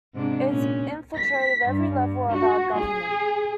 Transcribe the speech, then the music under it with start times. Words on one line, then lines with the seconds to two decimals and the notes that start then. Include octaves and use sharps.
It's infiltrated every level of our government.
0.14 G#2 C3 D4
0.48 A#2 C#4
1.15 B6
1.68 G2
2.29 F#4
2.75 G#4